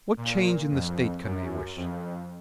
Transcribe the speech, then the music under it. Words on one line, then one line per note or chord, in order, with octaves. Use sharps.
What change in the state can they wish?
A#2
F2
F#2
F2